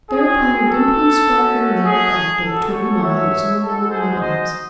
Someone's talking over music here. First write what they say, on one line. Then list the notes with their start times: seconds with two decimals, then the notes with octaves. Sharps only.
Thereupon, a dimpling, sparkling lake backed up twenty miles among the little mountains.
0.10 C4 F#4 G#4
0.68 A4
1.27 A3 C#4 F#4
1.85 G#4
2.44 A3 C#4 F#4 A4
2.73 A4 C#5
3.02 C#5 E5
3.61 G#3 D#4 F#4 A4
3.90 G#4 C5
4.20 C5 D#5